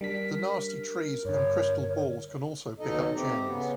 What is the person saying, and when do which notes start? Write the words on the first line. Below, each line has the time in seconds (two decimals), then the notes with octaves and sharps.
The Nasty Trees and Crystal Balls can also pick up gems.
0.01 G3 D4 A#4 B6
1.25 G2 D3 C#5
2.80 D#2 B2 F#3 D#4 A4 D#5
3.15 A3 C4 G4 A#5
3.46 C#3 B3